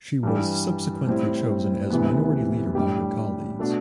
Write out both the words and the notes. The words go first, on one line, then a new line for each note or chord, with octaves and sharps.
She was subsequently chosen as Minority Leader by her colleagues.
G2 E3 G3
A2 G3 C4 E4
D2 C3 E3 B3
A2 G3 D4 G4
B2 A3 D4 F#4